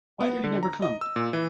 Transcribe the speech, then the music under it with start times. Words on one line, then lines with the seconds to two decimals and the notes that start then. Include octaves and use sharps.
Why did he never come?
0.21 B3
0.44 D3
0.63 A#5
0.82 D#5
1.01 E6
1.16 A#2
1.33 E3